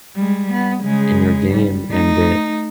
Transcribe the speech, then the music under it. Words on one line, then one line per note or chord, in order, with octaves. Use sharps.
in your game, and it
G3 G#3
B3
C#3 G#3
G3
A3 D#4